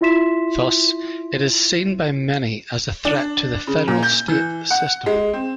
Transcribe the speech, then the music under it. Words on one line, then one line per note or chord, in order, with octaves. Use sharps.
Thus, it is seen by many as a threat to the federal state system.
E4 F4 E5 C6 B6 E7
D4
C#3
A#2
G6
E3
F#5
G#3
C4